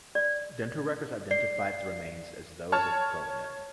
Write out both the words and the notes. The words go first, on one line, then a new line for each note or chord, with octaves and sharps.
Dental records identified the remains as those of Kroenen.
D5
D5 C7
C#5 A5 F6